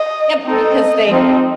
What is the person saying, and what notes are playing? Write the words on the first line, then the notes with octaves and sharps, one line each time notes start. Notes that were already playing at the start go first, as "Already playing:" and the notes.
Yep, because they h
Already playing: D#5
C4 D#4 A4 D#5
F3 C4 D#4